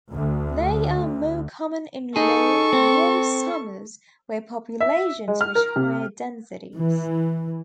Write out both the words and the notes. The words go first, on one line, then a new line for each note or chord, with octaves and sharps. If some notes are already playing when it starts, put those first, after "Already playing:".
They are more common in long, warm summers where populations reach higher densities.
D2
D#4 G#4 A4 C#6
C4
E5
G#3
F6
A#4
C3
E3